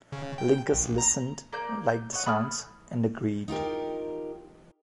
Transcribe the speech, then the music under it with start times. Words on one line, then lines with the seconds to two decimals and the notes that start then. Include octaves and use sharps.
Linkous listened, liked the songs, and agreed.
0.12 C#3
0.38 G5
0.73 A#1
0.98 A#5
1.53 A#3 D5 G6
1.88 G6
2.13 C#5 D#5 F#5
2.26 A3 G#5 B5 D#6 F6
3.48 D#4 F4 G4 A#4